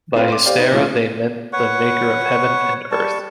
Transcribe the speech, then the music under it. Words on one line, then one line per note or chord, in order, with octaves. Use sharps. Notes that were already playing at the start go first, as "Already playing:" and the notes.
By Hystera they meant the Maker of Heaven and Earth.
C4 F4 B4 F5
C6 D6
G4 C5 D5 F5 G5
D#4 B4 C5 D#5
A#2 F3 A3 C#4 E4 F4
B4 C#5 F#5 C#6
G3 A5 C#6